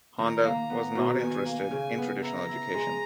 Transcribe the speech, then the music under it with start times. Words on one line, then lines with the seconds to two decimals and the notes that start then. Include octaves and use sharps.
Honda was not interested in traditional education.
0.18 D#3 A#5
0.44 A#3
0.70 B3
0.95 B2
1.20 D#3 G#5
1.45 A#3
1.71 C#3
1.97 B3
2.23 E4 A#5
2.48 E4
2.74 G#3